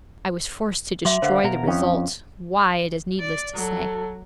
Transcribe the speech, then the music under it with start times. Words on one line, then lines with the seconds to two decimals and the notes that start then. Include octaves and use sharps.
I was forced to destroy the result, why it is needless to say.
1.05 F#3 E5 C6 D6
1.22 D3 C5 F5 F#5
1.44 B2 A#4 A#5
1.67 F2 C#4
3.20 D5
3.54 F#3 A4